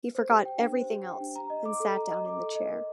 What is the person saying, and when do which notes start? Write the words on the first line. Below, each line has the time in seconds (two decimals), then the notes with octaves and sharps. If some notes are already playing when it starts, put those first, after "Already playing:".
He forgot everything else, and sat down in the chair.
0.15 C5
0.30 G4
0.45 G5
0.60 D4
0.75 C5
0.91 G4
1.05 G5
1.20 D4
1.36 A#5
1.50 D#5
1.65 D6
1.80 A4
1.95 A#5
2.10 D#5
2.26 D6
2.41 A4
2.55 D#5
2.71 A#4